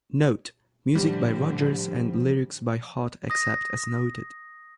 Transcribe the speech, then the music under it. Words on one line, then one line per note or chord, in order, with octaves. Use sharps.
"Note:" music by Rodgers and lyrics by Hart except as noted.
A2 D3 F3 G3
D#6 A#6